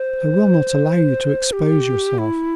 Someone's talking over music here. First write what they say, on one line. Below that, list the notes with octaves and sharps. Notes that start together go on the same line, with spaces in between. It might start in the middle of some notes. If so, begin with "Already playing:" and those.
"I will not allow you to expose yourself."
Already playing: C5
G4
E4